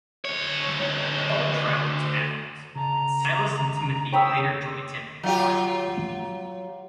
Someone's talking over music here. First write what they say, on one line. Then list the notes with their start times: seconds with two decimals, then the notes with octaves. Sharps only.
Paul travelled to Athens, and Silas and Timothy later joined him in Corinth.
0.25 D2 C#5
2.76 C#3 A5 A#5
4.12 C#5 G5 B5 D#6 E6
5.23 F#3 F4 G4